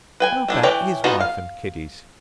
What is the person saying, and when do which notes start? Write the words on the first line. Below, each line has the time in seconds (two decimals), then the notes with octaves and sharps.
How about his wife and kiddies?
0.20 B4 G5 G#5
0.48 A3 D4 E4
0.63 E3 C#5 D5 G5
1.04 B3 D#4 F4 F#4 B4
1.20 F5